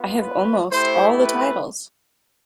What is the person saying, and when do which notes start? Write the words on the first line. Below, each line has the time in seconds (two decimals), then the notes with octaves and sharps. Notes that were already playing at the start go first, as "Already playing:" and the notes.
I have almost all the titles.
Already playing: B3 F4
0.20 B4
0.70 A3 E4 G4 C5
1.22 B4